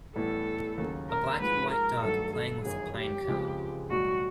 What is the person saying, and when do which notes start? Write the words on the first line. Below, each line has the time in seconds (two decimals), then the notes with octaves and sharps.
A black and white dog playing with a pine cone.
0.16 A2 E3 G3 B3 A4
0.78 D#2 C#3 F#3 A#3 C#4
1.09 A#4
1.40 G#2 F3 G#3 B4
1.72 A#4
2.03 G2 D#3 F#3 A3 A4
2.34 A4
2.65 G1 F#2 D#3 G#4
2.96 G4
3.27 C#2 C#3 F3 G#3 C4
3.90 B1 A2 E3 G3 F#4